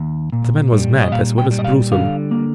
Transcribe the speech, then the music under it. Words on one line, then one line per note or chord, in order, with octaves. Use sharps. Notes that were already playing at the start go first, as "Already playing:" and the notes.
"The man was mad as well as brutal."
Already playing: D#2
A#2
G3
D#5
A#2 F5
G5
G3
D#5
F5
D3 F5
A#3